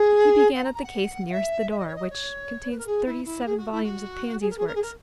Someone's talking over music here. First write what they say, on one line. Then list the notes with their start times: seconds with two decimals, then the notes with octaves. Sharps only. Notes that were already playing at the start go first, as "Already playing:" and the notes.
He began at the case nearest the door, which contains thirty-seven volumes of Pansy's works.
Already playing: G#4
0.54 F#5
0.64 A#5
0.74 A#5
0.84 F#5
1.26 F#5
1.32 E5
1.71 E5
1.78 D#5
1.87 C#5
1.96 D#5
2.10 C#5
2.70 B4
2.78 A#4
2.87 G#4
3.06 E4
3.25 E4
3.46 G#4
3.57 F#4
3.72 E4
3.84 F#4
4.41 G#4
4.50 A#4
4.58 G#4
4.67 A#4
4.75 G#4
4.82 A#4